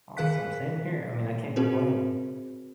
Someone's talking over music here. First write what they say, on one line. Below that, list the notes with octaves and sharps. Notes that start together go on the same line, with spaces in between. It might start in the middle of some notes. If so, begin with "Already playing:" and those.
Awesome. Same here. I mean, I can't complain.
D#3 G#4 A#4 F5 F#6 B6
C4 F#4 G#4 A#4 C5